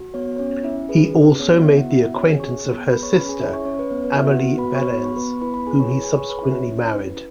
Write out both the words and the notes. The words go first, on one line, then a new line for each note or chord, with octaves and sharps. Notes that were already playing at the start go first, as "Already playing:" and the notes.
He also made the acquaintance of her sister, Amelie Behrens, whom he subsequently married.
Already playing: F#4
B3 C#5
C#4 C#5
C#4 E4 E5
G#4 B4
B4
C#4
B3 C#5
B3 E4 E5
F#4 F#5
E4 F#4 E5
C#4 C#5
G#4 G#5
G#4 C#5 C#6
B3
G#4 B4 B5
C#5 C#6
C#4 B4 B5
G#4 G#5
C#4 E4 E5
C#5 C#6
C#4 C#5 C#6
B4
B3 C#5
B4
E4 F#4 E5
F#4 F#5
B3
B4 B5
F#4
C#5 C#6
B3 B5
C#6
B3 B4 B5
E4 B4 B5
B4 B5
E4 G#4 G#5
C#5 C#6
G#4 B4 B5
G#4 G#5
G#4 C#5 C#6
B4 B5
C#4 E4 E5
C#5
C#4 C#5
B4
E4 B4
B4